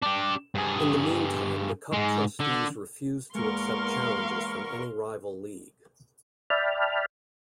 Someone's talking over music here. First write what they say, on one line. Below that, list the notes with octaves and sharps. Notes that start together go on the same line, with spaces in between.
In the meantime, the Cup trustees refused to accept challenges from any rival league.
D4 G4
G2 G#4
G#2 G#3
D3
E2 G#3 A#3 A#4 F5 C6 C#6
D5 E5 G5 A5 B5 F6